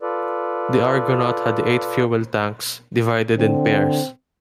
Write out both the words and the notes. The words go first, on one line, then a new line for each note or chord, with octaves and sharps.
The Argonaut had eight fuel tanks, divided in pairs.
F4 A4 B4 D5
D3 C4